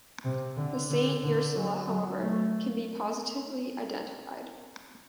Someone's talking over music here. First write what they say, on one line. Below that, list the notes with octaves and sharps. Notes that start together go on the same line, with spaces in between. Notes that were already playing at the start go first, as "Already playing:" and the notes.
The "Saint Ursula", however, can be positively identified.
C3
D3
D3
D3
F#3
F#3
A3